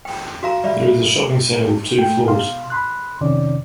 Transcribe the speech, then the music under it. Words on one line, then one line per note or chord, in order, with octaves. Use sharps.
There is a shopping center with two floors.
G5
F#4 F5 A#5
G3 D5 E5
A3 G5
B2 F5 C6
B5 C6 F#6
F2 C3 D#3 C#4 D5